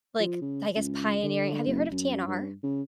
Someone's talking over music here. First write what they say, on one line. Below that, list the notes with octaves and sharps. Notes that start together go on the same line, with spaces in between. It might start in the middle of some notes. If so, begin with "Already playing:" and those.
like, I guess, pioneering Have you heard of TNR?
F3
C#3
C#2
D3
F#1
F#2
G2
C#3